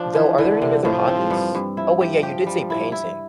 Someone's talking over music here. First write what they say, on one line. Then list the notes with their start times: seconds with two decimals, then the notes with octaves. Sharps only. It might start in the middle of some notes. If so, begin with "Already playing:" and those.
though are there any other hobbies? Oh, wait, yeah, you did say painting.
Already playing: F3 D4
0.15 E3
0.38 D3 E3
0.62 C3
0.85 A2 F3
1.08 C4
1.30 G2
1.55 G2
1.77 F3 E4
2.01 G4
2.23 G4
2.47 G3
2.70 E4
2.92 E4